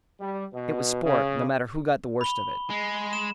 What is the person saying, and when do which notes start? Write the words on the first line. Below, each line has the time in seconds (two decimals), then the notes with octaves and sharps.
It was sport, no matter who got the worst of it.
0.20 G3
0.54 B2
1.04 C#3
2.21 B5 G7
2.70 G#3
3.13 E7